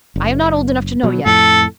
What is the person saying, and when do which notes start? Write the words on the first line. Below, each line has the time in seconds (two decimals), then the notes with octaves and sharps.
"I am not old enough to know yet."
0.16 F#1
1.03 B2 F#3
1.26 F2 A2 A4